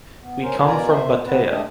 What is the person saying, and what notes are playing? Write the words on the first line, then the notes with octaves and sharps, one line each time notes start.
We come from Batea.
B3
C#4 A#4 C5
B2 F4 A#4 D5 G#5 A#5
C5 E5
B3 C4 B4
G#3 A3 D4 G4 D#5